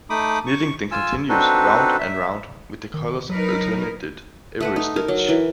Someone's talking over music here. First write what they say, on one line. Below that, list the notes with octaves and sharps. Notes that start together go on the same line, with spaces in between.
Knitting then continues round and round, with the colours alternated every stitch.
A3 D#4 B5 D6 D#6
C#6
F4 G#5 E6
C4 D4 D#4 F#4 A4 B4
E5
D#3
F#3 D#4 A#4 B4
A3 B4 F#5
D#4
A#4
F#3
E3